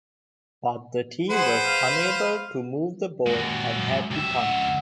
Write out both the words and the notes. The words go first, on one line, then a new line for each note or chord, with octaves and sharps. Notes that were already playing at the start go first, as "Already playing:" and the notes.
But the team was unable to move the ball and had to punt.
G#4 B4 C5 F#5
F5
D#2 G#3 F#4
F#2
C#2 F#3 G4 E5
F2 F#5